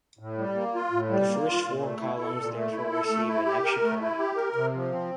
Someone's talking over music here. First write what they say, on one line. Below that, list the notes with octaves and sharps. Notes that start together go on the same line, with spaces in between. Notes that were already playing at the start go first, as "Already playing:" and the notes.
The first four columns therefore receive an extra card.
A2
G3
A#3
F4
A2
G3
A#3
F4
A#2
A3
E4
A4
A#2
A3
E4
A4
A3
E4
G4
A#4
A3
E4
G4
A#4
C3
F3
C4